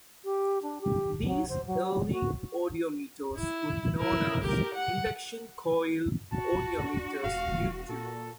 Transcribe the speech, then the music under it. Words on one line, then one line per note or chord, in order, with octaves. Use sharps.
These early audiometers were known as induction-coil audiometers due to...
G4
D4
G4
F#3
C5
F#3
F#4
E4
E4 A#4
G4 A#4
F#5
F#4 A5
D4
E1 F5
A#2 A4